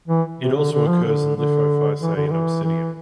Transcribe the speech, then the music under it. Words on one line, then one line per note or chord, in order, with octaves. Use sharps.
It also occurs in lithophysae in obsidian.
E3
C3
D3
D3
F3
D3
D3
E3
D3
D3
E3
E3